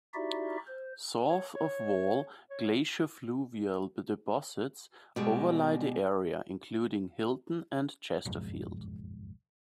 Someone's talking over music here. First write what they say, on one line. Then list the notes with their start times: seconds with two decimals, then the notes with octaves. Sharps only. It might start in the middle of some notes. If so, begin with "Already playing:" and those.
South of Wall glaciofluvial deposits overlie the area including, Hilton and Chesterfield.
0.14 D#4 E4 F#4 G4 D5 E5
0.67 C5
1.29 C#5
1.55 C#5
2.50 C#5
5.16 B2 G3 G#3
8.25 F#1 B1 F2 G#2